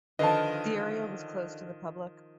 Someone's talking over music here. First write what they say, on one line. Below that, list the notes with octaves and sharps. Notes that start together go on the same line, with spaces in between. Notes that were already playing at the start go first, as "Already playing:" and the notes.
The area was closed to the public.
D3 D#3 F3 B4 D#5 F5 A5